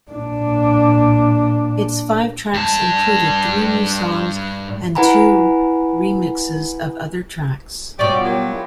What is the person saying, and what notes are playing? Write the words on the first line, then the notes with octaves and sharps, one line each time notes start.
Its five tracks included three new songs and two remixes of other tracks.
A#2 D4
G2 A5
E4 B4 F#5 G#5 A#5 B5
B2 G3 G4 C#5 D5 C#6 D#6
F4 F#5
F#3 G4 A#4 C#5 G5
E4 G#4